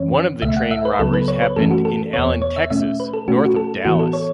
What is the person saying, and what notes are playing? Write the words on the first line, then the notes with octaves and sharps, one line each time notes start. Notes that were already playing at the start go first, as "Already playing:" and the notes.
One of the train robberies happened in Allen, Texas, north of Dallas.
Already playing: F#2 E3 C#4 C#5
C#2 B2 A3 E5
F#5
E5
B4
C#2 C#3 F#3 B3 A4
B4
C#5
B4
F#2 E3 A3 C#4 A4
F#4
A4
E2 B2 B3 C#5
C#5
E5
B2 A3 C#4 E5
B4
A4
B2 A3 C#4 F#4
F#4
A4
A2 E3 B3 F#4
A4
C#5